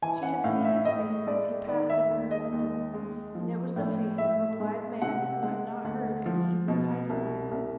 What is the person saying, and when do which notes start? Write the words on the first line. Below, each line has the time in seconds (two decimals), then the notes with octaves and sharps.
She had seen his face as he passed under her window, and it was the face of a blithe man who had not heard any evil tidings.
0.02 E3 G#5
0.23 F#5
0.44 A2 F5
0.65 E5
0.85 A2 D#5
1.27 G#3 D5
1.68 D#3 D5
1.90 E5
2.10 D#2
2.31 D#5
2.52 D#2
2.94 G#3
3.35 F3
3.76 A2
4.18 A2 E5
4.60 G#3
5.02 C3 F#5
5.43 G#3 F#5
5.84 D2 F#5
6.26 F3
6.68 B2
7.10 C2
7.51 C2